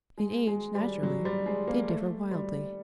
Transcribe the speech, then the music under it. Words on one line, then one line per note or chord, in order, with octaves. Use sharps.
In age, naturally, they differ wildly.
G#3
G#3
G3
F#3
G3
G#3
A#3
A3
G3